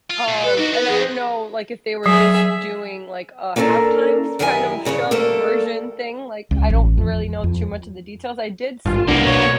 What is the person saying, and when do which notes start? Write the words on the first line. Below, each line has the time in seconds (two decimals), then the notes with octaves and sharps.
Um, and I don't know, like, if they were just doing, like, a halftime kind of show version thing, like, I don't really know too much of the details, I did see,
0.10 F4
0.28 A#2
0.44 A4 B4
0.58 D#4 F#4 G4
0.74 B3 B4
0.89 F2 G#4
2.06 F#3 G#4 E5
3.56 A#3 C#4 D4 A4 A#4
4.39 F#2 D#3 E4 G4 A#4 G#5
4.85 G2 C#3 A4 C#5
5.11 G3 A3 A#3 D4 A4
6.51 C#2
6.70 A1
6.98 F2
7.44 F2
8.86 G#1 G2 F4
9.08 C2 A#3 B3 D4
9.26 B2 C#5